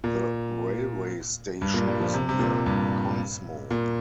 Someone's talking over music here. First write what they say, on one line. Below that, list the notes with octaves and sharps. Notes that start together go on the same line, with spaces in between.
The railway station is near Konsmo.
A#2
G2
A#2
G3
F3
C3
C3
A#2
G2
A#2